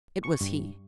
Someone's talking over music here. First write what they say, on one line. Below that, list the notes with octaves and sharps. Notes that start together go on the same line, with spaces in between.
It was he.
C#6
G2